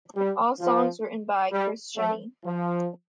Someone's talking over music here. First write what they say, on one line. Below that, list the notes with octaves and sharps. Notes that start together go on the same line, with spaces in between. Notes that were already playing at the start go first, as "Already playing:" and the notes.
All songs written by Chris Cheney.
G3
F3
G3
A3
F3